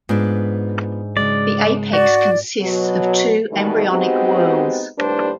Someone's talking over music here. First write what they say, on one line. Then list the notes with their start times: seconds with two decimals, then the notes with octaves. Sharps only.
The apex consists of two embryonic whorls.
0.09 G#2 B3 D4 F4 B4
1.17 C#3 F#3 G#3 D5
1.93 F#4 D5
2.61 B2 F#3
3.51 G#2 B2 D#3 E3 G3 A3
3.88 G#3 B3 C4 D#4 F#4 G4
4.98 D#2 A2 G3 D4 B4 C5